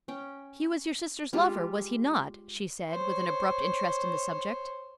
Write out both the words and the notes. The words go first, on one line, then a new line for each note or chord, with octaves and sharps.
"He was your sister's lover, was he not?" she said, with an abrupt interest in the subject.
C#4 G5
G3 G#3 F4 G4
C5 C#5